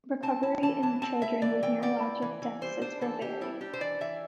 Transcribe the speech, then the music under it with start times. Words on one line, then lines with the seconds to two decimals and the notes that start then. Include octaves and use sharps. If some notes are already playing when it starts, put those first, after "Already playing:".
Recovery in children with neurologic deficits will vary.
0.23 C4 A5
0.43 E4 A5
0.62 E3 A5
0.82 E3 A5
1.02 C4 A5
1.22 E4 E5
1.42 E3 D5
1.62 E3 G5
1.82 C4 D5
2.02 E4
2.22 E3
2.42 E3
2.61 G3 C5
2.82 D4 C5
3.01 E3 A4
3.21 E3 G4
3.41 G3 E4
3.61 D4 G4
3.73 C5
3.81 E3 D5
4.01 E3 E5